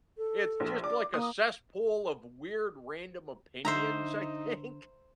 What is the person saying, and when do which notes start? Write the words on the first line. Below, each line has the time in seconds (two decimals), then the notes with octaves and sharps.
it's just like a cesspool of weird, random opinions, I think?
0.18 A4
0.60 A#1
0.84 D5 D6
1.14 A#3 D#6
3.65 D3 D#4 C5 E5 A#5